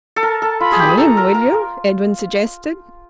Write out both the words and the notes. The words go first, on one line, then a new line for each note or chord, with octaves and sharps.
"Come in, will you?" Edwin suggested.
A4
A#4 A5
A4
F4 B5
G#4
G4
G#4
A4 A#5
A#4
A#4